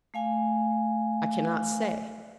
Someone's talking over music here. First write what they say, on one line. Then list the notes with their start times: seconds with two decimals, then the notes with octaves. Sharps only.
I cannot say.
0.14 A3 F5 G#5